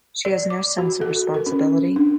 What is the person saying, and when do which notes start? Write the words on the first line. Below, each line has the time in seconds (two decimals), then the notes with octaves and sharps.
She has no sense of responsibility.
0.25 D5
0.50 D6
0.78 F#4
1.01 A4
1.34 A#4
1.46 C#4
1.96 D4